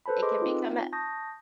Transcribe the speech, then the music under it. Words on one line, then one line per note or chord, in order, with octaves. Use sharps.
it can become a
A4 B4 C5 A5 B5
G#4 A4 B4 D#5 C6 D6
C4 D#4 F4
A5 C#6 D#6 G6 A#6